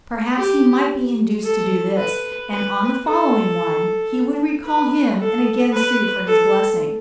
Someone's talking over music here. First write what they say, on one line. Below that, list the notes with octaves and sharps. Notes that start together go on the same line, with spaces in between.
Perhaps he might be induced to do this, and on the following one he would recall him and again sue for his blessing.
G4
A4
B4
B4
A4
B4
A4
B4
A4